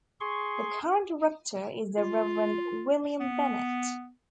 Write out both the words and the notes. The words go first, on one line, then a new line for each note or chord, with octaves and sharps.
The current Rector is the Reverend William Bennett.
G#4 C6 C#6
F4
B3